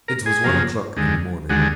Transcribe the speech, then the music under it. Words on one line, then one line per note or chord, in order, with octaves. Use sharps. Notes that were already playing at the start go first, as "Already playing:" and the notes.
It was one o'clock in the morning.
A#4
G#4
F#2 F3 A#3
D#2 D3 G#3
D#2 D3 G#3 F#4